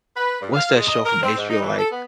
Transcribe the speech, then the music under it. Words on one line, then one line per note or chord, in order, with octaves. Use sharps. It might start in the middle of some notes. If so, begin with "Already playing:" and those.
what's that show from HBO, like
B4
G2
F5
G#3
D#5
A#4
C4
G#2
D#4
E3
A4
B3